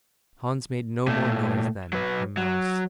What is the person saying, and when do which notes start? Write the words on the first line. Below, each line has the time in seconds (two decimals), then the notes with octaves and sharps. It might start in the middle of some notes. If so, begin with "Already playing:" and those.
Hans made no more noise than a mouse.
1.07 A#2 A3
1.93 F#3 B4
2.37 F#3